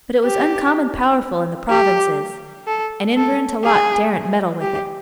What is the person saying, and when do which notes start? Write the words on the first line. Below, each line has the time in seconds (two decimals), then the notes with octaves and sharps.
But it was uncommon powerful in the provinces, and Enver and Talaat daren't meddle with it.
0.25 G4
1.70 G4
2.67 A4
3.17 A4
3.64 G#4
4.62 G4